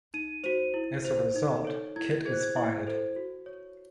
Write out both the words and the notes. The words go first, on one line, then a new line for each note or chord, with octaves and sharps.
As a result, Kit is fired.
D#4 D#7
F#4 C5 D#7
E4
C5
D#4
A4 C#5
E4 G#6
G#4 C5 G#6
F#6
G#6
E4
A4 C5
F#4
C#5